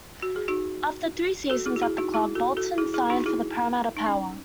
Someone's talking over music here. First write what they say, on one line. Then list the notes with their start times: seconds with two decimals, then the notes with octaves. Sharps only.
After three seasons at the club, Bolton signed for the Parramatta Power.
0.22 F#4
0.36 G#4
0.48 D#4 F#4
1.50 F#4 A4
1.66 E4 G#4
1.76 F#4
1.82 E4 G#4
1.98 D#4 F#4
2.14 E4 G#4
2.35 F#4 A4
2.57 F#4 A4
2.78 E4 G#4
2.94 E4 G#4
3.10 D#4 F#4
3.26 E4 G#4
3.97 D#4
4.06 C#4